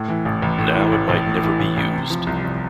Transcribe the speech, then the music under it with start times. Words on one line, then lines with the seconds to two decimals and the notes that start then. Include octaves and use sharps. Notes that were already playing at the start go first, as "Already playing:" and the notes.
Now it might never be used.
Already playing: A2
0.08 E3
0.25 A1
0.42 A1
0.58 A2
0.76 E3
0.92 A1
1.09 A1
1.26 A2
1.42 E3
1.59 A1
1.77 A1
1.93 C3
2.10 F3
2.27 C2
2.44 C2